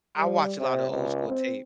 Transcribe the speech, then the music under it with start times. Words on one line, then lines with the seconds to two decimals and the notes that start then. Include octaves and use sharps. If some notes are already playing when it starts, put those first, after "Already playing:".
I watch a lotta old school tape.
0.17 G3
0.59 C3
0.89 C#2
1.28 C4